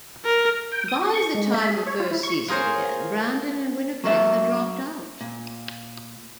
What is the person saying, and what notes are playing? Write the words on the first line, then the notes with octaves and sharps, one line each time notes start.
By the time the first season began, Brandon and Winnipeg had dropped out.
A#4
G5
D#6
F#4
C#6
G#3
E5
G#4
C#5
F4
E4
C#6
F4 G#4 A#4 C5 C#5
F#3 A#3 E5
A#2